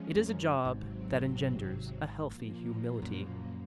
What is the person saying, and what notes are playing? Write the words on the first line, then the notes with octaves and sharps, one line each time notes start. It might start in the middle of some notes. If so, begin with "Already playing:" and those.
It is a job that engenders a healthy humility.
Already playing: F3 G#3 C#4
F2
F#2
G#1 G#2 C3 F#3 C4
A#2 F3 A#3
F#2